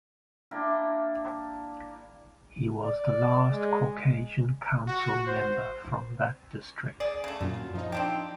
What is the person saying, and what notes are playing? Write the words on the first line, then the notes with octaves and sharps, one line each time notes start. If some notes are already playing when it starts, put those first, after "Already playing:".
He was the last Caucasian council member from that district.
A#3 D4 E4 G5
D5
G#3
F#4
C5
G#4 D5
C#3 A3
F#2 A#2 F4
F3 D#4
C4 D4 G4